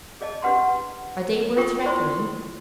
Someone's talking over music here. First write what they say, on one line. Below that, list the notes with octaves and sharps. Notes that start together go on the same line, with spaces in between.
Are they worth reckoning?
G#4 D5 D#5 A5
D4 G4 B4 F#5 A#5 C6
D4 F4 A#4 G5 C#6
E4 F4 C5 D5 C6 C#6